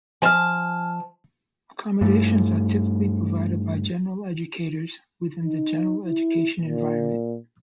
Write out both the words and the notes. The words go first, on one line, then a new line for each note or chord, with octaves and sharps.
Accommodations are typically provided by general educators within the general education environment.
F3 G#5 A5 F6
G2 A3
D#4
E4
A#2